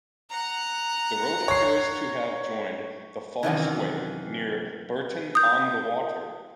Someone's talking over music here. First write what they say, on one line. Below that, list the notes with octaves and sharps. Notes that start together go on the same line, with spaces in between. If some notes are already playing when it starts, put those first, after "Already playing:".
The road appears to have joined the Fosse Way near Bourton-on-the-Water.
F#5 A#5
C#5 C7
F#2 C3 D#3 E3
D#6 G6